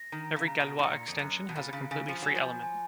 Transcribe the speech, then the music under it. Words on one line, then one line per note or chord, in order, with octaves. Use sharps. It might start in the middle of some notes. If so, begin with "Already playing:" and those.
Every Galois extension has a completely free element.
Already playing: A#6
D#3 A#5
C#3
A#5
B2
G#2
A#2 C#7
F2
F#2 F#6
B2
A#2 B5
C#3
C#3 G#5
F3
F#3 G#5
F3
G#5